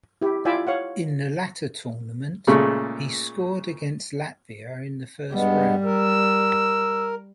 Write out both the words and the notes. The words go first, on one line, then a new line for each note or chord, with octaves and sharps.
In the latter tournament, he scored against Latvia in the first round.
E4 G4
E4 F4 D5 E5 G5 G#5
C#5 F5 F#5
A#2 C#3 G#3 A3
G2 G3 G#3 B3
A#4 E6